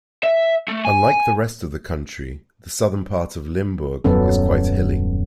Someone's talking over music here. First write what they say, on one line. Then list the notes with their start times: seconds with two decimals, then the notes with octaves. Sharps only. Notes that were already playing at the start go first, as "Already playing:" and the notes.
Unlike the rest of the country the southern part of Limburg is quite hilly.
0.24 E5
0.68 A3
0.85 G#5
4.04 D#1 F#2 F#3 B3 C#4 A4